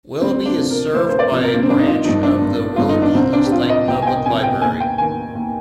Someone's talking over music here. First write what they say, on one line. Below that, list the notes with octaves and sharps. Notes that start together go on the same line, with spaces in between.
Willoughby is served by a branch of the Willoughby-Eastlake Public Library.
D2 C4
D4
C3 F3
A#4
D2 C5
C5
D5
C3 F3
A#4
A#3
C4
G#1 D4
D#4
F4
G2 F3 D#4
D4
G#1
G2 F3 F4
D#4
D4
C2 C4
D4
G4
C3 F3 F4
D#5
C2 G5
G#5
G5
C3 F3 G#5
G5
D#2 G#5
G5
D#3 G#5
D#2